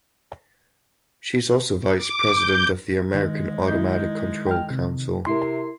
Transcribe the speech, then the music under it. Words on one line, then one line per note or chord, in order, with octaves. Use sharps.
She is also vice president of the American Automatic Control Council.
D6
G6
D#3 G#3
D#3 D#4 E4 G6
G5 F6
C3
C3 E4 A#4 C6 C7